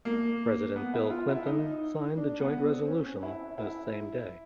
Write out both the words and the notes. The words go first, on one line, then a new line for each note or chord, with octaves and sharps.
President Bill Clinton signed the joint resolution the same day.
A#3
B3
E4
F4
E4
D#4
D4
B3
C4
C#4
E4
E4